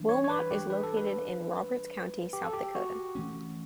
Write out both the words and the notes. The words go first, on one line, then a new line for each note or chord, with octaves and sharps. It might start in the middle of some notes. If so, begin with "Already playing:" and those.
Wilmot is located in Roberts County, South Dakota.
Already playing: E3 G3 D4
C#5
C#5
B4
G4
B4
A4
B4
G4
A4
G4
F#4
E3 A3 C#4